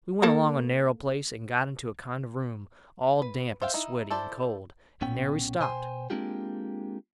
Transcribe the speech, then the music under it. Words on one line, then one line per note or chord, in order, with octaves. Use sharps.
We went along a narrow place and got into a kind of room, all damp and sweaty and cold, and there we stopped.
A#3 A4 A#4
B4
C5 E5 F5 G5
D#4 E4
E4 A4 C5 D5
B1 A#2 B3 C#4 G5
B2 C5 G5 G#5 C6
G#3 A#3 C4 D4 F4 G4